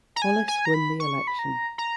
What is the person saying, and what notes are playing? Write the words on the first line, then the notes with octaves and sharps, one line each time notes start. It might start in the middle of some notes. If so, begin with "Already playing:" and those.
Hollis won the election.
A#5
G#5
G#5
A#5
B5
C#6
B5
A#5
A#5